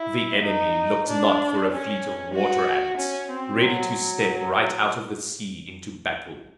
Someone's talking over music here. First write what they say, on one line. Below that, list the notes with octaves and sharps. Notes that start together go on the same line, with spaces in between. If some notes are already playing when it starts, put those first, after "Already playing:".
The enemy looked not for a fleet of water- ants, ready to step right out of the sea into battle.
Already playing: E4
D#4
D4
C#4
F#4
C#4
C4
F#3
F#3